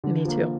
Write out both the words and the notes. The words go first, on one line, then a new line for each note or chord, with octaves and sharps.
Me too.
D3
F3 A#3